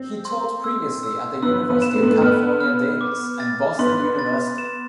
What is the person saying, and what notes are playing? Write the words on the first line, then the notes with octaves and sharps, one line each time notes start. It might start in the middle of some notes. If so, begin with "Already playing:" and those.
He taught previously at the University of California, Davis and Boston University.
Already playing: C4
C6
E6
E6
B3 E6
B3
E7
A3
B3
A3
B3 F6
F6
D6
A6
B3 C6
A6
E7